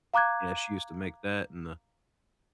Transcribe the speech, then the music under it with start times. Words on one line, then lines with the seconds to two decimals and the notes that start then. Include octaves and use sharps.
Yeah, she used to make that, and the,
0.14 F5 A#5 D6 F#6 G#6